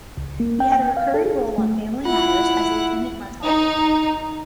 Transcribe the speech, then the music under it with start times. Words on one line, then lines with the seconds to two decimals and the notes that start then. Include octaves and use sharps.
He had a recurring role on "Family Matters" as Lieutenant Murtaugh.
0.17 C#2
0.40 A#3
0.60 G5
0.72 G5
0.97 F5
1.14 A4
1.26 G#4
1.58 A3
2.05 E4 F4 F#5
3.45 D#4